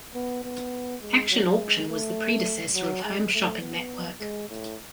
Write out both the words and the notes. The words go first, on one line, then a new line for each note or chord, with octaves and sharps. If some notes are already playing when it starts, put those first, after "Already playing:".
"Action Auction" was the predecessor of Home Shopping Network.
B3
B3
G#3
F#3
G#3
A3
F#3
G#3
A3
B3
G#3
A2